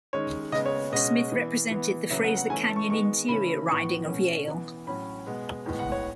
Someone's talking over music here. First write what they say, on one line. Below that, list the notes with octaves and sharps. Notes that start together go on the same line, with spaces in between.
Smith represented the Fraser Canyon-Interior riding of Yale.
D#3 G#3 C#4 C#5
C#3 G#3 B3 D#5
C#5
B2 G#3 C#4 D#5
E3 B3
E3 B3
C#3 F#3 B3 E5
F#5
F#5
E3 A3 C#4 G#5
A5
C#6
D#3 G#3 B3 C#6
C#3 E3 A3 C#4 B5
A2 E3 B3 C#6
B2 A3 C#4
E3 B3
A2 F#3 C#4 B5
B2 G#3 B3
A2 G#3 B3
F#5
C#5